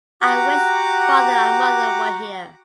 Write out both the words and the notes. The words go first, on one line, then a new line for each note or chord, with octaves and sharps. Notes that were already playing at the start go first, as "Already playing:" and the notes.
I wish father and mother were here.
F#4 G4 F#5 A#5 D6